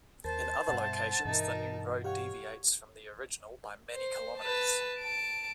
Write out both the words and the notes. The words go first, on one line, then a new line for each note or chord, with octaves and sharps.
In other locations the new road deviates from the original by many kilometres.
D#2 A#4 C5 A5 A6
G2 B2 E5 F#5
G2 B2 E3 D#4 A#4
G4 C#5 F5 F#5
C5
B4 A5
A5 D7